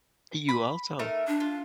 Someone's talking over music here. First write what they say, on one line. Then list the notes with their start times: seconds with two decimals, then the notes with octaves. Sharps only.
You also.
0.49 B5
0.99 A3 D#4 A#4
1.28 D4
1.40 F4